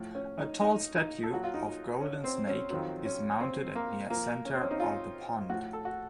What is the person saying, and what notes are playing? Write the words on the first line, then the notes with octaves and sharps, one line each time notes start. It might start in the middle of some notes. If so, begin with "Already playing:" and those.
A tall statue of golden snake is mounted at the center of the pond.
Already playing: A2 F3
C#4
D#4
D#4
D#4
A4
A#2 F#3 F#4
F4
D#4
C#4
C4
C#4
F2 D#3 F#3 C4
C#4
C4
A#3
A#2 F3 A#3
C#4
C4
C#4
D#4
F4
A2 F3 F#4
A4
F#4